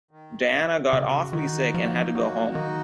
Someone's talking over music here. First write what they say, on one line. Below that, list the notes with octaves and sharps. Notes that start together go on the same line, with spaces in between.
Diana got awfully sick and had to go home.
D#3
D#3
C#3 F#4
D#3 D#4
F3 A#3
F#3 F#4
D#3 D#4